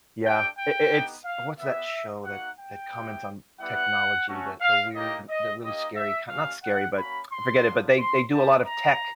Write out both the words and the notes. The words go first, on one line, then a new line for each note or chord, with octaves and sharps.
Yeah, i i it's What's that show that that comments on technology, that the weird the really scary, kind not scary, but I forget it, but they they do a lot of tech,
A3 D4 G4 G5
G5
B3 D#4 G4
F5
B3 E4 G4 E5
A#3 D#4 F#4 F#5
G5
B3 E4 G4
G3 B3 E4 G4 F#5
A3 C#4 F#4
F5
A#3 D#4 G4 D#5
D#5
A#3 D#4 G4 D#5
E5
A3 C#4 F#4 F5
F#5
A#3 C#4 F#4 B5
C6
B3 D4 F4
C6
G3 A#3 C#4 E4 G4 A5
A#5